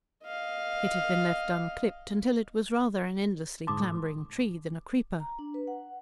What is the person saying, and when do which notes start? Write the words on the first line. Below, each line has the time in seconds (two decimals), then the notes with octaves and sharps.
It had been left unclipped, until it was rather an endlessly clambering tree than a creeper.
0.24 D#5 F5
3.67 G#2 D3 A5 C6 D6 D#6
3.82 A2
5.20 A#5
5.39 D4
5.54 B4
5.68 F#5